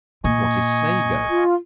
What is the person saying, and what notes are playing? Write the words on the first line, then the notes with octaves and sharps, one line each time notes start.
What is Sago?
A#2 D#5 G#5 C#6
F4